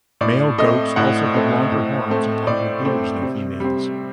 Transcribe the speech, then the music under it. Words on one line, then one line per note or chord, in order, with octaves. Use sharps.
Male goats also have longer horns and longer beards than females.
A2 D5
A3 C4 D#5
A2 F#5
A3 C4
A2
A3 C4
A2 D5
A3 C4
C3
G3 C4